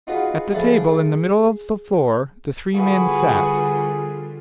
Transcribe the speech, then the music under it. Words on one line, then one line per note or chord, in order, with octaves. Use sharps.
At the table in the middle of the floor the three men sat.
D#4 F4 F#4 G#4 B4
D3 F3 A3 G#4 A4 B4
G#4
D3 G3 F4 F#4 G#4 B4